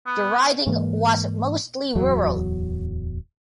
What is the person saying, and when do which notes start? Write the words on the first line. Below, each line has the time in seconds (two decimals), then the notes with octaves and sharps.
The riding was mostly rural.
0.06 B3
0.67 G#2 E3 A#3
1.95 D1 E2 F#3